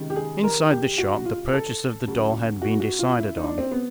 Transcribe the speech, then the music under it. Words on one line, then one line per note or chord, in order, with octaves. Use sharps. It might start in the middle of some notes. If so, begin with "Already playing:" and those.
Inside the shop the purchase of the doll had been decided on.
Already playing: C#2 C3 D#3
G4
G#4
A#4
G4
F#4
F4
A4
D2 C#3 F#3
F#4
F#4
F4
E4
D#4
D4
C4
B3